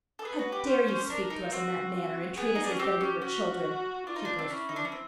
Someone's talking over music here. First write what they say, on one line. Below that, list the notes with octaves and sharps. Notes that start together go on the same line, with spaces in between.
"How dare you speak to us in that manner and treat us as though we were children?" she burst forth.
A4
G#4 B4
F#4
G4
C#4 C5
C#4
C#4
D4 A#4
D#4
C4 F#4
F#4
B3 G#4
D#4
D4
C#4
C4 G4
C#4
C#4 F#4
D4 F4
D#4
D4
C4
C#4 E4
D#4
D4
C#4
C4